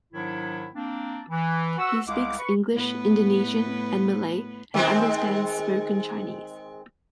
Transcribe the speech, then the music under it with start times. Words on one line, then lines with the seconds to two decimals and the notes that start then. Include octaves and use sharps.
He speaks English, Indonesian and Malay and understands spoken Chinese.
0.13 G#2 D#3 F#3 D4 E4
0.74 A#3 C4 D4
1.29 E3
1.78 F#4 B4 F#5 E6
2.07 C2 G#3 E4 F5 F#5 D6
2.38 B4 C#6
2.73 A2 B3 B4
4.74 D#3 G#3 C4